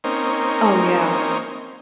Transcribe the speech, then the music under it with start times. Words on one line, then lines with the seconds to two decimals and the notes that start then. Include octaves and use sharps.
Oh yeah.
0.04 A#3 C4 C#4 D#4